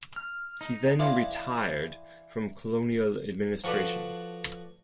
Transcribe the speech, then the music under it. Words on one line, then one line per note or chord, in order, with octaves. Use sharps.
He then retired from colonial administration.
F6
D#4
E3 D5 D#5 F5 G#5 C6
F3 F#4 A4 B4 D5